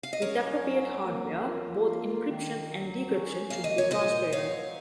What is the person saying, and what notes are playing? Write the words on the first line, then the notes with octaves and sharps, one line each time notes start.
With appropriate hardware, both encryption and decryption should be transparent.
F5
D#5
C#4 A#4 C#5
F#3
A#3
F4
A#3
D#3
F#3
C#4
A#3 F5
D#5
C#5
A#2 C5 D#5
F#3 C#5 F5